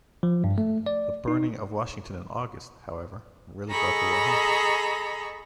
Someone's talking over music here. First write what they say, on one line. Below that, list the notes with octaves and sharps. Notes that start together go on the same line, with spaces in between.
The burning of Washington, in August, however, really brought the war home.
F3
G2
A3
D5
D#4
G#4 A4 D#5 A#5 B5 C#6